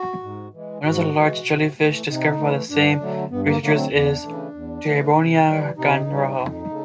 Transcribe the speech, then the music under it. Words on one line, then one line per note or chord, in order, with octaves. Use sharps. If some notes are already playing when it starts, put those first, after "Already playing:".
Another large jellyfish discovered by the same researchers is "Tiburonia granrojo".
Already playing: F#4
G#2
E3 G#3
G#2 F#4
E3 G#3
C3
E3 A3
C3 D#4
E3 A3
G2 D4
D3 F#3 A3
G2 B3
A#3
D3 F#3 A3 A#3
C4
E2 D4
C#3 E3 A3
E2
C#3 E3 A3
C3
E3 G3
C3 D#4
E3 G3
F2
C#3 A3